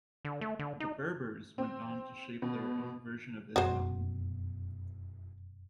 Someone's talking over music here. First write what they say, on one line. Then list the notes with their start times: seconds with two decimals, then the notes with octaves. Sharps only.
The Berbers went on to shape their own version of Islam.
0.25 D3
0.41 A3
0.59 D3
0.80 D#4
1.58 C4
2.42 B2
3.56 F1 F#2 B2 F#4 C5